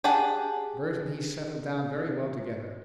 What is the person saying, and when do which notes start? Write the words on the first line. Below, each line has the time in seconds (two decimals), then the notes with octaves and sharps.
Bert and he settled down very well together.
0.04 G4 G#4 F#5 A5